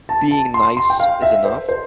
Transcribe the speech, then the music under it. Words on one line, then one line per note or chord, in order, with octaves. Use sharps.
being nice is enough?
A5
A5
C6
C6
G5
F5
E5
C5
C5